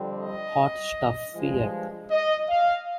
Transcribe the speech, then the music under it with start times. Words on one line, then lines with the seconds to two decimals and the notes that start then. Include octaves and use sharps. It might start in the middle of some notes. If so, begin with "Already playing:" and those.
Hot Stuff feat.
Already playing: F2 D3 G3 C4
0.18 D#5
1.34 G2 F3 G#3
2.11 D#5
2.49 F5